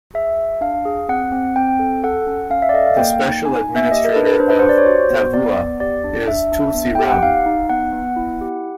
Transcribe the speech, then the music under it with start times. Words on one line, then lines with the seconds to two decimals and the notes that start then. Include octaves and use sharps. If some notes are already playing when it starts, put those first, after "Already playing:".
The special administrator of Tavua is Tulsi Ram.
0.14 G#4 E5
0.38 G#4
0.61 D4 F5
0.85 G#4
1.09 C4 F#5
1.32 C4
1.56 C4 G5
1.79 A4
2.04 A4 F#5
2.27 C#4
2.50 C#4 F5
2.62 E5
2.69 D5
2.73 A4 D#5
2.86 F5
2.97 A#3 G5
3.21 D#4
3.45 D#4 G#5
3.61 G#5
3.69 A#3
3.76 E5
3.91 G4 D#5
4.04 A#4
4.16 D4 B4
4.27 B4
4.40 D4 C5
4.50 B4
4.59 G4 C5
4.69 D5
4.78 C#5
4.86 F#4 C5
5.10 B3
5.33 B3 D5
5.58 B3
5.80 G4 D5
6.04 D4
6.28 D4 E5
6.52 D4
6.75 B3
6.95 G4 G5
7.10 F#5
7.22 D#4 F5
7.46 D#4
7.70 B3 F#5
7.93 B3
8.16 E4
8.41 G4